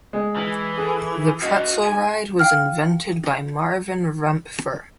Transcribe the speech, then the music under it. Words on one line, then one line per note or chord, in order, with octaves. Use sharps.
The pretzel ride was invented by Marvin Rempfer.
G#3
E3
G#4 A4
F#4 D#5 F5
G#5
F5 G5 F6